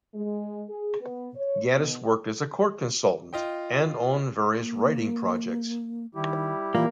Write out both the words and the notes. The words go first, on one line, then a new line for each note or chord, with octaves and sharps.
Gaddis worked as a court consultant and on various writing projects.
G#3
G#4
B3
C#5
B2
F4 D#5 G5
A#3
D#3 G3 E4 G4
A#2 E3 A#3